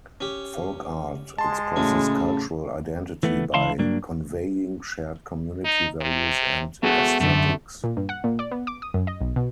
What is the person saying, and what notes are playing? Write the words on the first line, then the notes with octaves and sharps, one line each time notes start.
Folk art expresses cultural identity by conveying shared community values and aesthetics.
C#4 G4
G#3 A5 C6
A2 C#3 F#3 C#4
E3 A3 B3
C#2 E3 E4 F5 A5 C6
G2 F#3 A#3 D4
D#4
C3
A3 B3 F#4 G#4
F#2 D3 A3
A#2
G2
F#5
A#2
D5
B3
D6
D#6
F#2
D#5
B1
B2